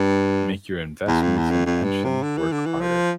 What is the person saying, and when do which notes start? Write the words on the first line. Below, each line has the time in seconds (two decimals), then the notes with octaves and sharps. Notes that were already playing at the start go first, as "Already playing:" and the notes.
Make your investments and pension work harder.
Already playing: G2
1.08 E2
1.23 F2
1.37 E2
1.51 F2
1.66 F2
1.84 G2
2.05 C3
2.23 D3
2.37 E3
2.52 D3
2.66 E3
2.81 F3